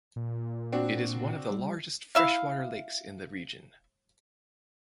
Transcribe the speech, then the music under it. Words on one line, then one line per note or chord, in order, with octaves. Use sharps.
It is one of the largest freshwater lakes in the region.
A#2
C4 D4 F#4
G3
E4 E5 F5